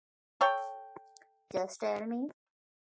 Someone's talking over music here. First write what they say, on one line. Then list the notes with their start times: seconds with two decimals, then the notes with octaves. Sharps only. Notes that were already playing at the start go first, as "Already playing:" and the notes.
Just tell me.
0.41 A4 C#5 G5